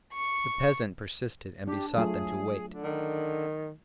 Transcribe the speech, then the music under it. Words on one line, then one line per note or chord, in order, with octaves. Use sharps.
The peasant persisted and besought them to wait.
C#6
D4 G4
F#3 A3 F4 G#4
D3
D#3